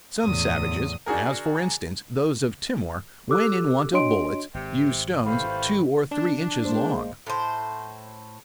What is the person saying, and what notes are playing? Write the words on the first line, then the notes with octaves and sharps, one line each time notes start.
Some savages--as, for instance, those of Timor--when in want of bullets, use stones two or three inches long.
E2 A2 D#6
D4 F#4 G#4 A#4
G4 A4 D6 E6 F#6
D4 F#4 C#5 D#5 C6 D7
G#1 C3
E3 G3 A3 C5 F5 B5
D4 D5
G#3 A#3 C5
A2 C5